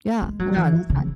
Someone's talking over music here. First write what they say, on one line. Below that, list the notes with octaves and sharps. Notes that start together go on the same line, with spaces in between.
Yeah, no, that's fine.
G#3
F#3
E3
C#3